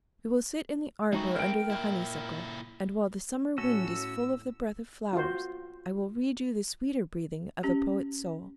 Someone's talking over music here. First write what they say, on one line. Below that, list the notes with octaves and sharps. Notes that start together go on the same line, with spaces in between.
We will sit in the arbor under the honeysuckle, and while the summer wind is full of the breath of flowers, I will read you the sweeter breathing of a poet's soul.
G#3 C4 D#4 E4 F#4
A#4 G5
A#2 E4
A2 C#4 F#4 A4 E6
F4 F#4 C5
C#4 G4